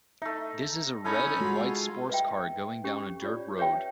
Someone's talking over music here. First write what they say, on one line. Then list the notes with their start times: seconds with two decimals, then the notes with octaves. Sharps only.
This is a red and white sports car going down a dirt road.
0.22 A3 D#4 E5
1.04 C#4 D#4 E4 A4 G#5 B5
1.41 G#3 F4 F#4
2.10 B4 D#5 E5 G5
2.84 C#4 G4
3.22 F4 G4 C#5 D5
3.58 B4 C#5 E5 G5